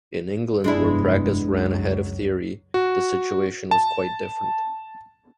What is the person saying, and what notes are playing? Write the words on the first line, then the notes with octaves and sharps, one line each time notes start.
In England, where practice ran ahead of theory, the situation was quite different.
F1 G2 G#3 B3 D4 E4
C#2 F#2 F#3
F#4
A5